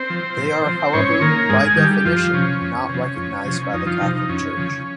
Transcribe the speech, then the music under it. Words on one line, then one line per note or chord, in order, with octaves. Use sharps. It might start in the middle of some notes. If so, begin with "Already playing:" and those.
They are however, by definition, not recognised by the Catholic Church.
Already playing: C4 C5
F3
A#2
F3
G#2 C#4 C#5
D#3 A#3 A#4
G#2 G#3 G#4
D#3 G3 G4
F2 F3 F4
C3 F3 C#4
F2
C3
F3
F2
C3 F3
C#4
F2 D#4
F3 F4
C3 F3 D#4
D#4
F2 C#4
C#3 F3